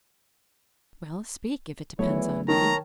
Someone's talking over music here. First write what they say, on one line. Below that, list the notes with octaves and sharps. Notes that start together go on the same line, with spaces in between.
"Well, speak, if it depends on me."
E2 E3 F#3 A3 B3 E4 C#5
D#3 A#4 C#5 A5 A#5